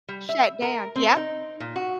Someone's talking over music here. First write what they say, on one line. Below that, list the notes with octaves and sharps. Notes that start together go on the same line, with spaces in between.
shut down Yep.
G3
E5
A#4
C4
D#4
A#2
F#4